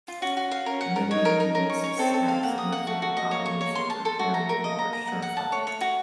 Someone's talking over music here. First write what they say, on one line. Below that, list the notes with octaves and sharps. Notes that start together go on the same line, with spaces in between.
Many of the oases had significant populations of haratin or shurfa.
F4
C#4 F#4
F#4
F5
C#4 A#4
F#5
A#4
D#4 C#5
A#4
A#4
C#4 A#4
C#6
C#5
C4 A4
A4
F5
A#3 F#5
D#6
F#5
A3 F#4
F#4
D#5
A#3 C#5
C#6
C#5
A#3 C6
A5
A4
A3 F#4
A#5
A#4
A#3 D#5
A#5
A#5
A#3 F#5
F#5
A5
A3 C#5
C#5
F#4